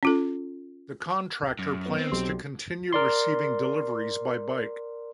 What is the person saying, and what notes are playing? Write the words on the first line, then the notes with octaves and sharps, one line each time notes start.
The contractor plans to continue receiving deliveries by bike.
C#4 F4 A4
F#2
B3
C4
B1 G4 C6
A#4 D5 C6